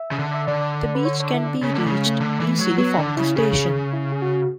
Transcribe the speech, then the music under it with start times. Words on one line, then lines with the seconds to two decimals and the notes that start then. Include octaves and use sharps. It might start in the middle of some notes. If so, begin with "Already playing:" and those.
The beach can be reached easily from the station.
Already playing: E5
0.11 C#3
0.19 D3
0.34 E5
0.47 D3 D5
0.95 B4
1.05 C#5
1.20 C#5
1.34 E4
1.48 D4
1.63 C#3 C#4
1.74 D3 A3
1.86 C#3
1.92 G#3
2.06 A3
2.21 D3
2.40 E3
2.59 F#3
2.78 F#3 B3
2.97 D3 D4
3.17 C#3 E4
3.36 C#3 G#4
3.93 E4
4.12 G#4
4.22 F#4